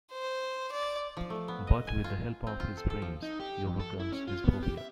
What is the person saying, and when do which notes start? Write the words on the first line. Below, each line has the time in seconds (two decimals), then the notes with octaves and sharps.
But with the help of his friends, he overcomes his phobia.
0.12 C5
0.72 D5
1.17 F3
1.30 A3
1.48 B3
1.67 D#5
1.87 G#5
2.04 F4
2.47 C4
2.60 F4
2.77 A4
2.90 A4
3.02 F3
3.23 D#4
3.40 G4
3.65 F2
3.80 A4
4.00 E4
4.12 C#4
4.28 F4
4.44 B3
4.63 G4
4.77 E5